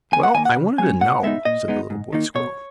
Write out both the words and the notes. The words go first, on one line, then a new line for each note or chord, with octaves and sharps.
"Well, I wanted to know," said the little boy squirrel.
E2 G#5
F#5
D#3 A#3 G#5
F#5
C#3
F#3 C#4 G#5
A#2 F#5
G#3 B3 D#4 E5
A#2 D#5
G#3 B3 D#4
G#2
D#3 A#3 D#4
B2 C#5